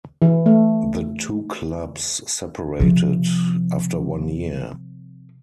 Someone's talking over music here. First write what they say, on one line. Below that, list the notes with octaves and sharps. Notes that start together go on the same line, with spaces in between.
The two clubs separated after one year.
E3
A3
C3 F3